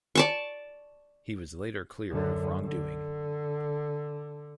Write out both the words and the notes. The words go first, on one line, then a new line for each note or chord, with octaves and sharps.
He was later cleared of wrongdoing.
D5 A5 C#6
F#2 D3
D3